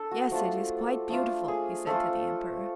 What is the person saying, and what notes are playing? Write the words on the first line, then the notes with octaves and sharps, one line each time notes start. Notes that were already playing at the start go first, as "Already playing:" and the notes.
'Yes, it is quite beautiful,' he said to the Emperor.
Already playing: D4 A4
F#4
F3 A3 D4 F4
F3 A3 D4 F4
G#4
F3 A3 D4 F4 A4